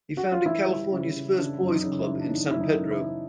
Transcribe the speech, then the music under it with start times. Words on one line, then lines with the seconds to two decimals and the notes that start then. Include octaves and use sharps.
He founded California's first Boys Club in San Pedro.
0.17 F#4
0.32 F4
0.46 E3 E4
0.68 G3
0.91 C#3
1.15 C#3
1.38 C#3 D4
1.61 F#2
1.69 D#4
1.84 C#3
1.99 E4
2.07 C#3
2.21 D4
2.30 E3 D#4
2.51 F#2 E4
2.60 D#4
2.76 C#3
2.91 E4
2.99 E3